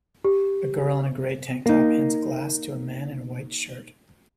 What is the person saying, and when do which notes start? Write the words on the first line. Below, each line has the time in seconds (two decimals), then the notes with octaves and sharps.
A girl in a gray tank top hands a glass to a man in a white shirt.
0.25 G4
1.66 A#3 D#4